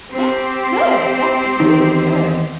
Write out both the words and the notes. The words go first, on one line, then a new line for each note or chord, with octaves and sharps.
That's good! That's really good.
C4 G4 C5
E2 D#3 D#4